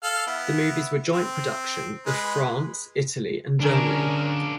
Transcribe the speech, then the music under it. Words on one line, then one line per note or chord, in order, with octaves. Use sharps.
The movies were joint production of France, Italy and Germany.
A4 F5 F6
B3 E4
C4
G#3 B4
D3 C#4 D4 G#4 A#4